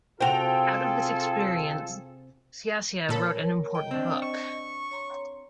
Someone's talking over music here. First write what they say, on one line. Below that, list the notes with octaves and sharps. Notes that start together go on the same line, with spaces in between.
Out of this experience, Sciascia wrote an important book.
C3 F4 F#4 G#4 A4 C5 G5 F7
A#2 A4 A#4 C#5 B5
D#5 G5
C4 D4
C#6
C#5 A#5 C6